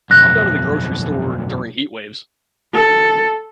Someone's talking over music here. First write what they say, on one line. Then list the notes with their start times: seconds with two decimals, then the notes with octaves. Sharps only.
I've gone to the grocery store during heat waves.
0.11 B1 F2 F#6 A#6
2.74 A4